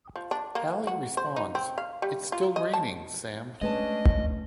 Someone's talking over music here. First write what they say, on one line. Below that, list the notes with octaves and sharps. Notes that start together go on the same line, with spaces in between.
Hally responds It's still raining, Sam.
F3
D4
A#3
F#4
C5
D#4
C4
F5
G3
F4
D#5
A5
G#3 A3 C#4 D4 B4 D#5 A5